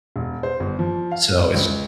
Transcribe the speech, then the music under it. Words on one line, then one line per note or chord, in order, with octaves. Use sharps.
so it's
E1
C5
G1
F3
F5
C#2